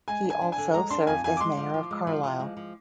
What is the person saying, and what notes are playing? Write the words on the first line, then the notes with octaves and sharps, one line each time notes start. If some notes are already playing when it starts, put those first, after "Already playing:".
He also served as mayor of Carlyle.
G#3 G#5
D4
G#5
D4
G#5
D3
G#3 A#5
D4 C6
F2 G#5
F2 G#5
D6
G#3 C6
F3
F3
G#3
F3
F3
G#3
F3